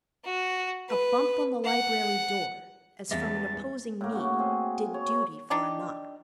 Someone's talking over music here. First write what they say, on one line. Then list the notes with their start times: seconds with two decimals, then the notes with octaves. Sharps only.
A bump on the library door, as from an opposing knee, did duty for a knock.
0.25 F#4
0.89 B4
1.64 F#5
3.11 E2 G3 G#3 C#4 E5 F5 A6
4.01 A2 A#3
4.12 C#3 F#4
4.38 C4 G#4
4.94 C#5
5.50 D4 D#4 G4